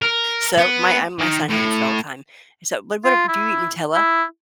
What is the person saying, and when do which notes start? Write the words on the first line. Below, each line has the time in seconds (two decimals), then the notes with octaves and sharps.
So, my I my son, he eats it all the time. So, but what ab do you eat Nutella?
0.02 A#4
0.57 B3
1.19 D#3
1.50 A2
3.05 F4
3.28 E4
3.95 E4